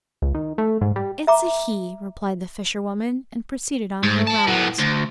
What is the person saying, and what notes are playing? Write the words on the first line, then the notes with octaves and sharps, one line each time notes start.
"It's a he," replied the fisherwoman, and proceeded on her rounds.
C#2
D#3
A3
G#2
G3
E5 A#5 D6
G#2
C5 A5
A2 B3
D2